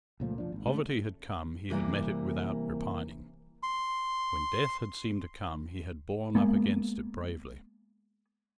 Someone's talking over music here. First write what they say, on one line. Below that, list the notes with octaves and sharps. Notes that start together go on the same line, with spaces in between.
When poverty had come, he had met it without repining; when death had seemed to come, he had borne up against it bravely.
C#2 A#2 F3 A3
F1 F3 D4
G#1
C3 G#3 A3 C#4
C3 E3 G3 A#3
C6
G#3 A#3 B3